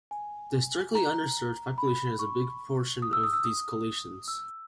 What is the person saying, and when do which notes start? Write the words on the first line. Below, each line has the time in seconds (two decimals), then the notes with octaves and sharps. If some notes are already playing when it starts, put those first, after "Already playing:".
The historically underserved population is a big portion of these coalitions.
0.11 G#5
0.95 A#5
1.78 B5
2.19 C#6
3.02 D#6
3.13 E6
3.23 D#6
3.33 E6
3.44 D#6
4.28 E6